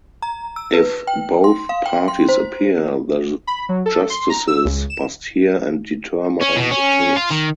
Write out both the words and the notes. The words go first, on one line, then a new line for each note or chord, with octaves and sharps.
If both parties appear, the justices must hear and determine the case.
A#5
E6
B4
G5
C6
F5
G5
C6
C5
B5
F#3
A4
C6
A#5
E6
C#2
E7
C#4
B2
C#4
F4
D#3